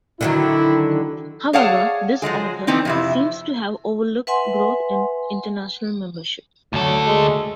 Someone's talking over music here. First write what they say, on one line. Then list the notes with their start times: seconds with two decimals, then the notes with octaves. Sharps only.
However, this author seems to have overlooked growth in international membership.
0.21 D3 D#3 F#3 E4
1.53 G#4 C#5 D5 F5 F#5 A5
2.22 F3 F#3 G#3 G#4
2.67 E3 B3 C4 D4 D#4
2.85 F2 C3 E4
4.27 B4 E5 F#5 G#5 C6
6.73 D2 F#3 A4
7.07 G#3